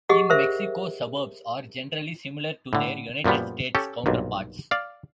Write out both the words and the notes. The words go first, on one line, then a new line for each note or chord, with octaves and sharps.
In Mexico, suburbs are generally similar to their United States counterparts.
G4 G#4 D#5 F#5
A#4 C5 E5
A2 D3
F#2 A#2 F3 G3 B3
C#4 G4 A4
B1 G2 A#2
D5 F5